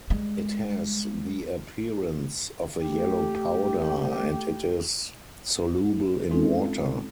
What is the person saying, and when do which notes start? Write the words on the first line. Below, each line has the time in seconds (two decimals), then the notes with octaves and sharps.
It has the appearance of a yellow powder, and it is soluble in water.
0.10 G3 G#3
2.80 A3 G4
6.31 G#3 C4 C#4 D#4 F4 A4